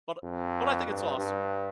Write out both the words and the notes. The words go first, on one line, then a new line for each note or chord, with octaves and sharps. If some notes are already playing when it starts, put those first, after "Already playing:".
But but I think it's awesome.
F2
G2
G2